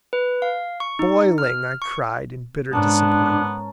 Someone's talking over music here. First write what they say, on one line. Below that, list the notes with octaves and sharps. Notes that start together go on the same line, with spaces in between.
"Boiling," I cried, in bitter disappointment.
B4
F5
C#6
D#4
F6
C#6
G#2 B3 C#4 D4 A#4 A5